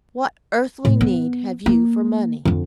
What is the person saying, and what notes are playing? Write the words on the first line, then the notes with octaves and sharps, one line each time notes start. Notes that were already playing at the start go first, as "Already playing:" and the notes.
What earthly need have you for money?'
A2
B3
A#3
F2 D3